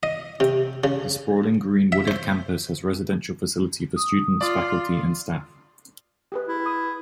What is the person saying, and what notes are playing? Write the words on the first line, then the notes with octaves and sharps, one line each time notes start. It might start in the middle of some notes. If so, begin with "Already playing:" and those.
The sprawling green wooded Campus has Residential Facility for students, faculty and staff.
D#5
C3
C#3
E5
C5
D#6
F4 D5
G4 G#4 B4
E4
D#6